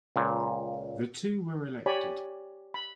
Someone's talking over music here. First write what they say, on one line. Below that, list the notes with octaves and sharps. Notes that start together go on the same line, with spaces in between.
The two were elected.
C#2 A#2
G4 C#5 D5 G#5 B5
B5